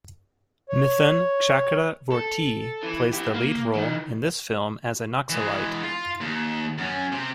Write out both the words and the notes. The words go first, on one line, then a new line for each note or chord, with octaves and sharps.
Mithun Chakraborty plays the lead role in this film as a Naxalite.
C#5
A4
E3
E4 G4
A#3
E3 D#4
E3 G#3
F4
D#2
F#2 C#4
C3 G4